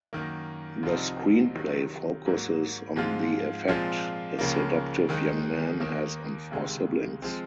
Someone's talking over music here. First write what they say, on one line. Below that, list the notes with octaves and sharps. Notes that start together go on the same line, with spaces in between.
The screenplay focuses on the effect a seductive young man has on four siblings.
F#2 D#3 A#3
C2 C3 F3 C4 D#4
C3 D#3 F#3
G#2 F#3 A#3
G#2 F3 G#3 C4 F4
A#2 F3 G#3 C4 F4
C#2 C#3 F3 A#3
D#2 D#3 G#3
D#2 D#3 A#3
C#2 C3 D#3 G#3
F3 G#3 C4